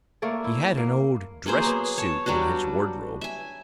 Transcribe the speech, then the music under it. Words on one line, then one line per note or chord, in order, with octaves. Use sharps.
He had an old dress-suit in his wardrobe.
A3 A#3 C#5 D5
E4
A#3
F#3 A#3 G#4 C5
B3
C#5 A5
F#3 G3 D4 F#4
E5 G#5